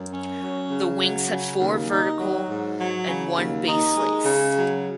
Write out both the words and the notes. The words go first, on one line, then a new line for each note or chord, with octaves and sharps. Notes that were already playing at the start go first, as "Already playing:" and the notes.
The wings had four vertical and one base lace.
Already playing: F#2
C#4
F#3
C#3
F#3
C#3
D#2
D#4
F#3
G#2
F#3
C#3
D#2
D#4
G#3
C#3
F#3